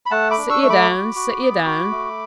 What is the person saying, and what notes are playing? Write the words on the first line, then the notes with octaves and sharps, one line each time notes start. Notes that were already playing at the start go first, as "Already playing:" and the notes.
'Sit ye down, sit ye down.
B5
A3 F#5 A5
B5 D6
D4
C#6 E6
A3 C#6
B5 D6
F#4
F#4
B3
F#4
A3